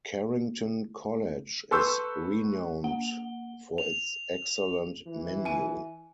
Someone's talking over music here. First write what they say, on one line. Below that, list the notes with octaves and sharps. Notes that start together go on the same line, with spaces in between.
Carrington College is renowned for its excellent menu.
A4 B4 C6 C#6 E6 G6
A#3 F#5 G7
F7
E3
G#5 D#7